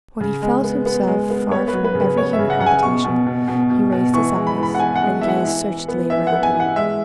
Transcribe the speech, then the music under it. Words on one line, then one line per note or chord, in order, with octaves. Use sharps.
When he felt himself far from every human habitation, he raised his eyes and gazed searchingly about him.
C#3
G#3
B3
B3
G#3
B3
B3 C#5
B4
F#3
B4
C#3
B4
B3 C#5
E5
C#3
F#5
C#3 F#5
G#5
B2 C#6
B2
B2
B2
B2
B2
E3 C#6
G#3
B5
E3 B5
F#5
E3 G#5
F#5
G#3
E3 E5
F#5
E3
E3
B3
E3 E5
F#5
B3
G#5
E3
F#5
G#3 E5